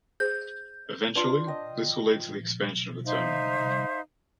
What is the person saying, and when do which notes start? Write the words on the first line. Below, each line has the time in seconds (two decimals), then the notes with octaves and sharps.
Eventually, this will lead to the expansion of the terminal.
0.20 G#4 C5 G6
1.16 D4 F4 B4
1.47 D#5 G5
3.05 D#4 C5 E5 F5